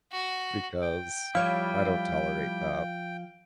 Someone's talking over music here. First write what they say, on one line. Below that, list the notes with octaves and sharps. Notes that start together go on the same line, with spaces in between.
because I don't tolerate that.
F#4
G5
F3 G3 E4 C#5 F5